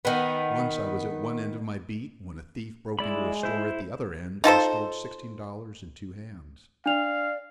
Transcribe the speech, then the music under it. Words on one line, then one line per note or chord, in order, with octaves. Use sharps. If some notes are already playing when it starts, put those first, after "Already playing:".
"Once I was at one end of my beat when a thief broke into a store at the other end and stole sixteen dollars and two hams."
D#3 B3
G#3 E4 D5 B5
E4 C5
D#4 F4 A4 C5
D4 D5 F5 F7